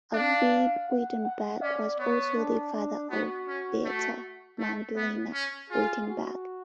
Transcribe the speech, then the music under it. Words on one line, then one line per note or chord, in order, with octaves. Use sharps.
Arvid Wittenberg was also the father of Beata Magdalena Wittenberg.
D4 F5
F#5
F#5
C#4 D5
B3 C#5
D4
D4
B3 F#4
C#4
A3
A3
B3
C#4
F4 G#4
F#4